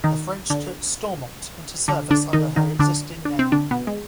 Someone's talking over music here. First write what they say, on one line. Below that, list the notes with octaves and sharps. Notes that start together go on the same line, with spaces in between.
The French took "Stormont" into service under her existing name.
D#3 D#4
D3 D4
D3 D4
D3 D4
D#3 D#4
D#3 D#4
D3 D4
D4
C4
D3 D4
B2 B3
G#3